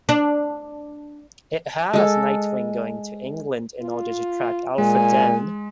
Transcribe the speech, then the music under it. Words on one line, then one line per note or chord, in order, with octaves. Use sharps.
It has Nightwing going to England in order to track Alfred down.
D4
G#3 A4
F4
A#2 G#3 G#5